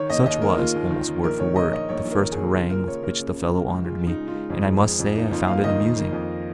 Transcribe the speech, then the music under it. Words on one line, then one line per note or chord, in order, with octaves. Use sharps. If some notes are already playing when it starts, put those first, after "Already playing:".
Such was, almost word for word, the first harangue with which the fellow honoured me, and I must say I found it amusing.
Already playing: D#3 C#5
A#3 D#5
D#2 D#5
D#2 A#4
A#3 F4
D#2
D#3
D#3
A#1 A#4
D#3 C#5
D#3 D#5
A#1 D#5
A#1 C#5
A#1
A#4
D#3
G#4
A#1
C#3 F4
A#3 A#4
A#3 C#5
A#3 A#4
C#3
C#3
C#3
C#2
G#3 F4
C#3
D#4
G#3
F4
G#3
F2
G#3
F2
F2
A#3 D#4
D#4
F2 F4
A#3 F5
D#3 D#5
A#3
A#3
F2